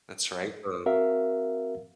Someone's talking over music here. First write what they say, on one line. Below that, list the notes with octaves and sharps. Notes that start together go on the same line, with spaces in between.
That's right, of
C4 F#4 A#4 E5 F5